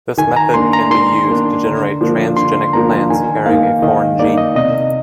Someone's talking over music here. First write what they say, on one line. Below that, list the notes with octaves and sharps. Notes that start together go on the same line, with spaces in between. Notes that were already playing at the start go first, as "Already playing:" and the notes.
This method can be used to generate transgenic plants carrying a foreign gene.
D#3 G#5
A#5
A#3 D4 C6
A#5
D#3 C6
A#3 D4
D3
F3 A#3 D4
D3 C6
F3 A#3 D4 A#5
D#3 G#5
A#3 D#4 F5
D#3 D#5
A#3 D#4 D5
D#5
C3 D#5